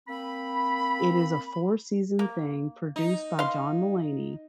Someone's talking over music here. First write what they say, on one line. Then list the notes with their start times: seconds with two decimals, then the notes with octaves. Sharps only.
it is a four-season thing produced by John Mulaney
0.08 A#3 C4 B5
2.19 A#3
2.96 D#4
3.39 F5 C6